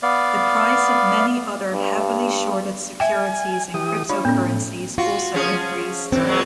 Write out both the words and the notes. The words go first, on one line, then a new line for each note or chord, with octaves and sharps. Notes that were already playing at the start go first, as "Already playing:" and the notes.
The price of many other heavily shorted securities and cryptocurrencies also increased.
B3 D5 F5
G2
E5 G5 G#5
E3 G4 D#6
D4 F4 C#5 B5
A2 B3 C#4
F4 F#4
F3 C#4 G#4
F#2 E3 C4
A#2 F#3 G#3